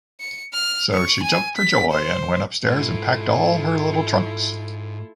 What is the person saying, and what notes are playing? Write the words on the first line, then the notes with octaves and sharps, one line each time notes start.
So she jumped for joy; and went upstairs and packed all her little trunks.
C#7
F6
C#6
G#5
B6
C5
G#2 E4 F4 A4